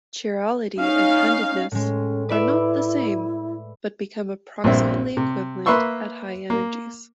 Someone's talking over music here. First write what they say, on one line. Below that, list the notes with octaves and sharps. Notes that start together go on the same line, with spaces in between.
Chirality and handedness are not the same, but become approximately equivalent at high energies.
C#4 D#4 F5
A2 G#3 C#4
E4 B4 D5 E5
A#1 G2 C4 E5
C3
A#3 B4 E5 C6 C#6 E6
A#3